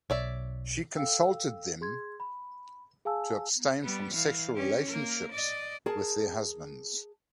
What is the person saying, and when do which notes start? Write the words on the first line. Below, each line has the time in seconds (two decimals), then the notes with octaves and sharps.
She counseled them to abstain from sexual relationships with their husbands.
0.10 B1 C#5 D5 E5
0.96 A4 F5 G5 E6
1.81 G#4 C6 G#6
2.20 B5
3.05 G#4 F5 G#5 A5 E6
3.83 G3 B3
4.14 E3 F5
4.55 C#4 G4
4.88 A#3 A#4
5.32 D5 D#5
5.86 G#4 A#4 A5